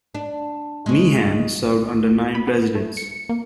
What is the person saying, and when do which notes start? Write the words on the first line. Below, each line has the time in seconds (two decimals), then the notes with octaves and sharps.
Meehan served under nine presidents.
0.14 D4
0.86 C#3 G#3
2.35 B5
2.47 B3
2.75 A3
2.97 C#7
3.29 A#3